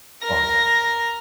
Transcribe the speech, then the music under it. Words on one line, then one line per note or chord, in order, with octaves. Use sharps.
Oh, yeah.
A#4 A#6